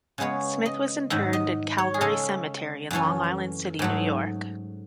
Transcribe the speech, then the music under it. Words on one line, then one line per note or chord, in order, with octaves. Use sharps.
Smith was interred in Calvary Cemetery, in Long Island City, New York.
C#3 G#3 B3 C#5
D#5
G#2 D#3 F#3 E5
D#5
C#5
G#4
C#3 G#3 C#4 A4
F#2 E3 A3 C#4
G#2 F#3 A3